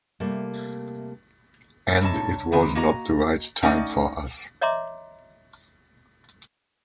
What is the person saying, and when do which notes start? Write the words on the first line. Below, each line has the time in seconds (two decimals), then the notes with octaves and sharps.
And it was not the right time... for us.
0.20 C3 G3 A3 A#3
2.01 G2 C3 C#5 D#5 A5
2.52 C3 D#3 B3 C4
2.75 A#3 F#4 D#5 A#5
3.62 A3 C#4 D#4 D5 D#5 F#5
4.61 C#5 D#5 E5 A#5 C6 D6